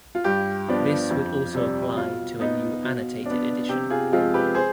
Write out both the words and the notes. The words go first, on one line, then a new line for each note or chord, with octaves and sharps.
This would also apply to a new annotated edition.
F4
G2 G4
F3 B3 D4
F2
C3 G3
B2 F4
B3 D#4
B2
B3 D4
C3 G4
F4 G#4
F3 G#3 C4 F4 G#4
G4 B4
G#4 C5